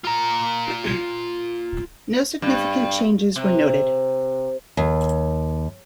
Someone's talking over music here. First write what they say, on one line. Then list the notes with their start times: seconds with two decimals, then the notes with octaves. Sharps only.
No significant changes were noted.
0.04 F4 A#5
2.42 G2
3.36 C3
4.77 D#2